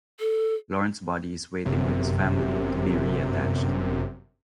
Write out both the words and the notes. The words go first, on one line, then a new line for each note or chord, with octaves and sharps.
Lorne's body is waiting with his family to be reattached.
A4
G1 F#2 C3